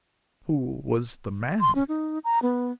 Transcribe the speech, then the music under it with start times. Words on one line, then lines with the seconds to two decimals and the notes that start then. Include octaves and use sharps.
"Who was the man?"
1.61 C6
1.75 C#4
1.89 D#4
2.24 A#5
2.42 B3